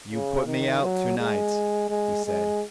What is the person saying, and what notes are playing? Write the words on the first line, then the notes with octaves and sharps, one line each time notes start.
"You put me out to-night," he said.
C#3
D#3
F#3
G#3
G#3
G#3